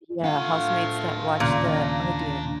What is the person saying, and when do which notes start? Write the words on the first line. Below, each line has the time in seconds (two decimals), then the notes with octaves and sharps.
yeah, housemates that watched the oh dear,
0.24 A3 D4 F4 F5 F#5
1.40 D#2 A#2 C#3 A#5